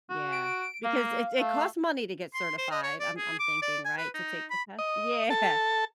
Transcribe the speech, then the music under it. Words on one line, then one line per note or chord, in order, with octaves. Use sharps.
Yeah. Because it it costs money to get certified, I'm I'm thinking, right, to take the test? Yeah.
F#4
D7
A#3 F5
A3
C6
C5
D#5
C#5
D5
G#4
D6
D5
G#5
B4
D#4
B5
D#5
A4 A5